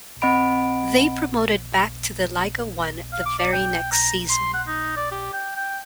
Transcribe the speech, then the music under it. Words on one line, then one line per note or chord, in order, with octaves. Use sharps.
They promoted back to the Liga One the very next season.
C4 D#5 F#5 B5 D7
F5
D6
D5
G5
A#5
C6
F#5
D#4
D5
G4
G5
G5